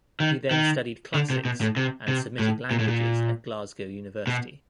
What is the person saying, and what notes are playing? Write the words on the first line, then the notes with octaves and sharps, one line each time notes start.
He then studied Classics and Semitic Languages at Glasgow University.
D#3
D#3
D3
C3
B2
A2
C3
C3
A2
A#2
A2
A#2
B2